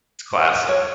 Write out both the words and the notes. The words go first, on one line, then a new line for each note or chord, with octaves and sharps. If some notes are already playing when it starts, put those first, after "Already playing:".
It's classic.
C#5